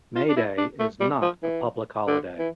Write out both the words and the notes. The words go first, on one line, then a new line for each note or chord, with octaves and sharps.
May Day is not a public holiday.
F4
D4
E4
D4
A3
G3
F3
E3
D3
E3